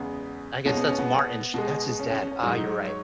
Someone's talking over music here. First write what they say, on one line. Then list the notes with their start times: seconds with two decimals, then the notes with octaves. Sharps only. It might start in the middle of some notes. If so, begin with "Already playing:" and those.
I guess that's Martin Sh that's his dad. Ah, you're right.
Already playing: E2 C#3 G#3 B3
0.66 B2 G#3 C#4
0.77 B3
0.88 C#4
0.99 B3
1.54 B2 G#3
1.99 C#4
2.10 C#4
2.21 C#4
2.32 C#4
2.43 G#2 F#3 D#4
2.87 C#5